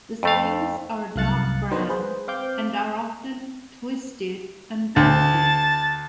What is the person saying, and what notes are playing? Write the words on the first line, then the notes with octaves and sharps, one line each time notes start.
The scales are a dark brown and are often twisted and glossy.
F2 A3 F5
C2 F#2 F5 F#6 A6 C#7
D#3 F#3 B3 D4 D#4 C5
G#4 B4 C5
C4 F5 D6 G6
D2 A5